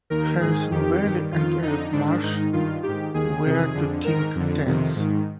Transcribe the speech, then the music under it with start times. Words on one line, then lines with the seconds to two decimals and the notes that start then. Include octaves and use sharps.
Harrison Bailey and Erik Marsh were the team captains.
0.10 D#2 D#3 A#4
0.41 G#2 D#3 G#4
0.71 F2 D#3 G4
1.01 G2 D#3
1.32 F2 D#3 F4
1.62 F2 D3 D#4
1.92 G#2 D#3 D4
2.23 G#2 D#3 D#4
2.53 G2 D#3 F4
2.83 G#2 D#3 G4
3.14 D#2 D#3 G#4
3.44 F2 C3 D#3
3.74 F2 D3
4.04 G#2 D#3 A#4
4.35 F2 D3
4.66 F2 C3 D#3
4.95 G#2 D#3